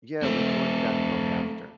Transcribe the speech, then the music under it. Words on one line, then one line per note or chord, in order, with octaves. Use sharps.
Yeah, we joined back up after.
A3 C4